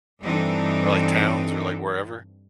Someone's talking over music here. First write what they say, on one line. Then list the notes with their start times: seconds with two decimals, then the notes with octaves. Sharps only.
or, like, towns or, like, wherever,
0.23 G2 E3 C4 D4 D#4 A4